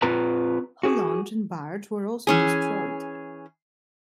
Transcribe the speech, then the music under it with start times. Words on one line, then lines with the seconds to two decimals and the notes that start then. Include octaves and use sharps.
Her launch and barge were also destroyed.
0.02 C4 F4 B4 A#5
0.83 F#4 G#4
2.27 E3 C#4 G#4